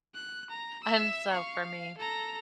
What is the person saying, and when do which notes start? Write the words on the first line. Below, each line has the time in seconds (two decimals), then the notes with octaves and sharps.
And, so, for me,
0.15 F#6
0.50 A#5
0.84 E5 E6
1.31 F5 C#6
1.61 F5
1.97 A4 A#5